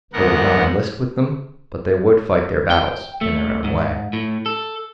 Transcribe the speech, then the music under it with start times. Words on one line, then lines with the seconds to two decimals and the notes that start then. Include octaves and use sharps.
They would not enlist with them, but they would fight their battles in their own way.
0.13 D2 G#2 B3 A#4 F#5
2.71 G5
3.21 A3
3.64 G#2
4.13 A2
4.46 A4